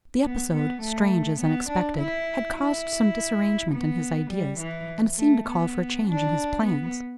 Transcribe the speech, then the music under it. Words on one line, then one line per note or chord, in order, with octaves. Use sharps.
The episode--strange as unexpected--had caused some disarrangement in his ideas, and seemed to call for a change in his plans.
B3
B3
A3
B3
D4
E4
E4
B3
G3
E3
A3
B3
D4
B3